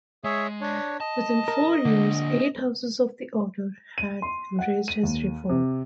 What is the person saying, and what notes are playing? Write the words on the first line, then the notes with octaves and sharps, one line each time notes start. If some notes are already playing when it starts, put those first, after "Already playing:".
Within four years, eight houses of the Order had embraced his reform.
G#3 G#4 C#5 E5
D4 C#5
D#5 A5
A#4
D3 A#3 D4
D#7
C6
F#5
D#7
D#2
C3